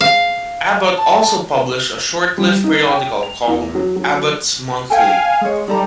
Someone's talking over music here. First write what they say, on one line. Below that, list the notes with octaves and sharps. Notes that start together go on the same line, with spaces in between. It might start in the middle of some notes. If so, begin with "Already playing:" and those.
Abbott also published a short-lived periodical called "Abbott's Monthly".
F5
A5
G3
D#4
G5
F7
E2
F#3
F#3
A4 F5 G5 G#5
G#3 G#4 C#5
G3 D#4 A4 A#5